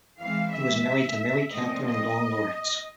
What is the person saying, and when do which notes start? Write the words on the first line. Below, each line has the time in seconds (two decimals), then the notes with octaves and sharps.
He was married to Mary Kathryn Long Lawrence.
0.19 E3 G#3 C4 F5
0.52 E5
1.52 A#2 F3 A3 C4 D#5
1.85 D#5